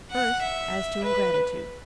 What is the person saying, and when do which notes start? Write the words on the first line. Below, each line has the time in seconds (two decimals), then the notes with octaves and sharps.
First, as to ingratitude.
0.11 F#5
0.42 E5
1.03 B4